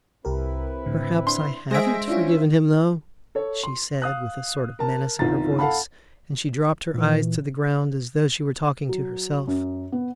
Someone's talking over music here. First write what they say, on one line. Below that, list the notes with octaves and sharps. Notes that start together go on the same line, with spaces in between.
"Perhaps I haven't forgiven him, though," she said, with a sort of menace in her voice, and she dropped her eyes to the ground as though she were talking to herself.
C2 C4 E4 G4 A#4 B4
A2 D3
D4 C6
G#3 G#4 C5 E5 A#6 D7
C#4 D4 E4 F4
A4 C#5
C6
F5 D#6 F#6
A#4 A5
G1 C2 D#3 F4 A#5 A6
A4 F5 F#5 A5 B5
A#2 E3
F#3
F#2
B3